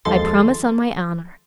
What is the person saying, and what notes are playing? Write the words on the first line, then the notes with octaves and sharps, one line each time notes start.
"I promise on my honor."
D#2 F3 G#3 A4 C6 A6